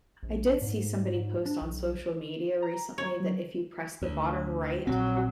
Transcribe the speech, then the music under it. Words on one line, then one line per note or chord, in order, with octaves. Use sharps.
I did see somebody post on social media recently, that if you press the bottom right
A#1
G#2
G#2
D4
B1
A#5
C#5
F#3
D2
A#1 F#3 C4